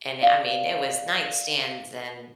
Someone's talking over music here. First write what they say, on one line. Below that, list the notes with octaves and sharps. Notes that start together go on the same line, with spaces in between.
and, eh, I mean it was nightstands and
D5 F5